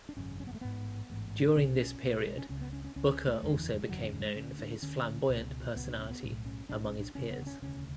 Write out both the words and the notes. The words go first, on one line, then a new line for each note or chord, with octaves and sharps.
During this period, Booker also became known for his flamboyant personality among his peers.
D4
G#1 F#2 C#3 C#4
C#4
B3
A3
A1 G#2 B3
A1 G#2
B1 B2 C#4
D4
C#4
B1 B2 B3
G#3
C#4
C#2 C#3 C#4
B3
C#4
C#4
C#2 C#3 C#4
C#4
A3
F#1 E2 D3 G#3
E3
G#3
F#1 E2 D3 F#3
D4
C#4
G#3
D2 D3 C#4
D4
D2 D3 C#4
C#2 B2
C#2 B2 B3
D4
C#4
B3
B1 A2
C#4
B1 A2 D4
C#4
D4
E1 D2 C#3 C#4
B3
C#4
E1 D2 C#3 C#4